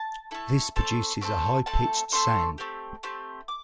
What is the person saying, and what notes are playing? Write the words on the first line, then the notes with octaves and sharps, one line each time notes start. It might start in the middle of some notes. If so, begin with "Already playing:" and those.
This produces a high pitched sound.
Already playing: A5
A3 E4 A4
A3 C4 A4 A5
A3 C4 A4
A3 C4 A4 A5
A3 C4 A4 C6
A3 C4 G4
A3 C4 G4
D6